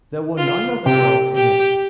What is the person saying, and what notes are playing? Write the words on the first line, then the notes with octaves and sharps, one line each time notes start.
There were nine other girls in it.
F4
C3 G4
G4